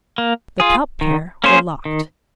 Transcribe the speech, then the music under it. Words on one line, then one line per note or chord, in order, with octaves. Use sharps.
The top pair were locked.
A#3
F4 G#4
D#3
A#3 C#4 G#4 C5
D#3